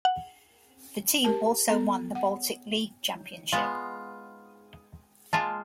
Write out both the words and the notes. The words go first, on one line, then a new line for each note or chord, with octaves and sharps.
The team also won the Baltic League Championship.
F#5
G4 A#4 A5
B3 A4 A#5
F#5
G#3 B3 F4
G#3 A#3 F4 A5